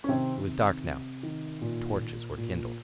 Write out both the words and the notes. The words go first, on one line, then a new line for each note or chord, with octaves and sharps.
It was dark now, and torches were kindled.
C#4
C3 D#3 C4
C3
C3
D#3
A#2
A#2
A#2